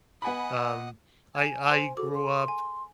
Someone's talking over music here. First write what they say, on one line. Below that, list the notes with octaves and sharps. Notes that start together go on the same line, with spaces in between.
um, I I grew up
B3 D#5 F#5 G#5 B5
G#5 G#6
C5 C6
F#4 G#4 A4 D6
C6
G#5